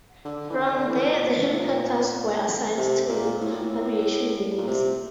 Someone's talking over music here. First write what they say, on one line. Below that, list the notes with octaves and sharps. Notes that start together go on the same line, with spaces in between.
From there the helicopters were assigned to aviation units.
D3
E3
D3
D3
E3
A#2
A2
A2
A#2
C3
A#2
A2
A#2
A2
A#2
C3